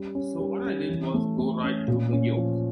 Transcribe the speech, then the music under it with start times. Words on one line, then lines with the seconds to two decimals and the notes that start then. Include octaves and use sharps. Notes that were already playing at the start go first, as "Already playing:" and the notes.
So what I did was go right to the 'yoke'.
Already playing: G3 C#4
0.15 C#4
0.39 G3
0.64 C#4
0.89 E3
1.14 A3
1.38 A3
1.63 C#4
1.88 A#2
2.13 C#4
2.37 F3